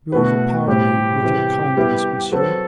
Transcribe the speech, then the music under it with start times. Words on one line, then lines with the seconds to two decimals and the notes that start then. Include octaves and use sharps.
"You overpower me with your kindness, monsieur."
0.12 B2 A3 E4 F#4 B4
0.67 A2 G3 C4 G4
1.22 C3 E3 G3
1.77 G3 B3 E4 B4
2.32 F#3 C4 F#4 A4 B4